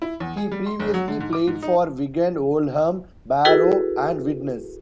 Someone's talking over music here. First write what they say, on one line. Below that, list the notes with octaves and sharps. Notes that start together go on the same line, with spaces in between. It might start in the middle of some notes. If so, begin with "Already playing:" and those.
He previously played for Wigan, Oldham, Barrow and Widnes.
E4
E2
G#4
G3
C6
G1
F#3
D3
G#2
D6
G#2
D#4
E4 F#4 G#4 A4 B4